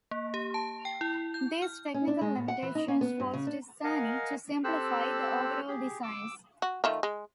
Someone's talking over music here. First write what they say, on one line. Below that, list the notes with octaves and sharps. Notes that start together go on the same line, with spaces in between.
These technical limitations forced Cerny to simplify the overall designs.
A#3
G4
A5
G5
E4
G6
F6
C#4
D4
G#3
A2
F#5
E3
D#4
C#4
B3
G2
C#3
D4
A#4 D#5 F5 F#5 G#5
C4 G4 A4 C5 E6 F#6
G4 G#4
D6 E6
F#4
D#3 A3 F4
G#3